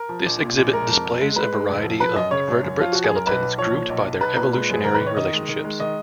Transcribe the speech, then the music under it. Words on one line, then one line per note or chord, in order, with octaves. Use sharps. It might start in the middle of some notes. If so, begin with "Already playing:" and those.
This exhibit displays a variety of vertebrate skeletons grouped by their evolutionary relationships.
Already playing: A#4
F3
A#1
A#2
A#1
G#3 A#4
F2
F1
G#3
G#3 B4
G#3
F1
F3
F3 B4
F#2 D#5
C#3 C#5
G#1
F#2
F3 F4
F3 F#4
G#4
F#2 A#4
B1 B4
B1
F3 C#5
A#2
B1
B1
B1 B4
A#2 B4
G#3 B4
F#2 G#4
D#3 A#4
B4
D#3
C#5
D#3 D#5
G#3
D#3
G#3
D#3 D#5